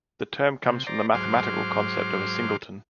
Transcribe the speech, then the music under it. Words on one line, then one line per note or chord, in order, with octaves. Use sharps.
The term comes from the mathematical concept of a singleton.
C3
C5 D5 A#5
G#2 F#3 C5 C6 D6 F6